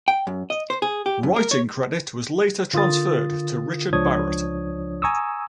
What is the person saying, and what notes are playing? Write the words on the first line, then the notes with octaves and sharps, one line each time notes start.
Writing credit was later transferred to Richard Barrett.
G5
F#2
D#5
C5
G#4
G4
F#2
A#4
C#5
D3 F4 A#4 D#6 A6
C#2 F3 D4 C#5 D#6 G#6
G#5 A#5 C#6 D#6 E6